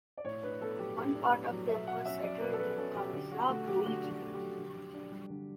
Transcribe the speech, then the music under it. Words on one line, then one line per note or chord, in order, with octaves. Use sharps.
One part of them was settled in Kazakh region.
D5
A2 C#5
D4 B4
B3 A4
F#3 G4
A2 G4
D4
B3
F#3
B2 E5
B2 F#5
C#4 E5
F#3 D5
B2 B4
A4
B2 B4
C#4 A4
F#3 G4
D3 G4
D4 F#4
A3 F#4
F#3 G4
D3 F#4
D4
F#4
A3
G4
F#3
D3
D3
D4
G3
D3